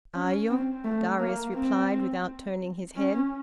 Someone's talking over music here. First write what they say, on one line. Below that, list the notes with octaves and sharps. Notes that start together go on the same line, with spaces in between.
"Are you?" Darius replied, without turning his head.
C#4
C4
A3
A#3
C4
C#4